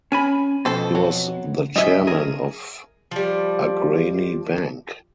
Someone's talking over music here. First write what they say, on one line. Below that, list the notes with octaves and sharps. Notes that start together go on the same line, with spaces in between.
He was the chairman of Agrani Bank.
C#4 G#5 B5
F2 B2 A4 C5
F#3
F#2 D#5 E5
G#4 A#4
F3 G3